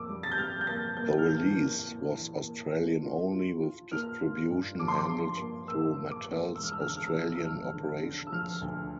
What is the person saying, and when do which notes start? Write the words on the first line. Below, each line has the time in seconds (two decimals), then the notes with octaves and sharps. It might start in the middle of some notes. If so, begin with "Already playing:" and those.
The release was Australian-only with distribution handled through Mattel's Australian operations.
Already playing: F2 A#3 D6 E6
0.09 G3
0.23 A6
0.31 G6
0.38 G3 F6
0.61 G6
0.67 A#3 A6
0.97 A#3 G6
1.18 F6
1.26 E3 G6
1.56 A#3
1.86 A#3
2.15 E3
2.43 A#3
2.73 A#3
3.03 F4
3.32 F4
3.62 F4
3.91 A#3 F6
4.21 F4
4.50 G2
4.79 F3 D6
4.88 C6
4.98 D6
5.08 G2
5.38 A#3
5.67 A#3 E6
5.96 A#3
6.11 D6
6.26 A#3
6.55 E1 E6
6.63 F6
6.72 E6
6.80 F6
6.86 D3 E6
6.96 F6
7.04 E6
7.11 F6
7.14 F3
7.19 E6
7.28 F6
7.35 E6
7.43 E1 F6
7.73 D3
8.02 D3
8.27 E6
8.32 F3 F6
8.62 D2